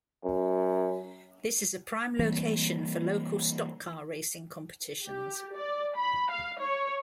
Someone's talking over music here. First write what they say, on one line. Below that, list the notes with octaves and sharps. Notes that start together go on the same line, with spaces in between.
This is a prime location for local stock-car racing competitions.
F#2
E3 G3 A#3 C4
G4
D5
B5
F5
C#5